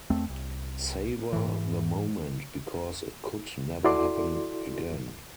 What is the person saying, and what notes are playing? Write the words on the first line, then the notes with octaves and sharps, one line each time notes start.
Savor the moment, because it could never happen again.
E2 A3 C4
C2
G#2 E3
E4 F#4 A4 D5 C6 D6